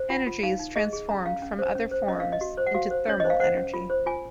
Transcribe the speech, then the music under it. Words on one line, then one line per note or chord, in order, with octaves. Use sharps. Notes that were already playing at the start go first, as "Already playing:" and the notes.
Energy is transformed from other forms into thermal energy.
Already playing: C5
F4 F#5
F4
D#4 F5
D#4
G#4 D#5
G#4
C#4 A#5
C#4 F5
C#4
C5
C#4
C5
C#4 D#5
C#4 F5
D#5
F#4
C5
F#5
F#4 F5
C5
C#4 C#5
C5 D#5
F5
C5 F#5
C#4
F4
C5
F4 G#5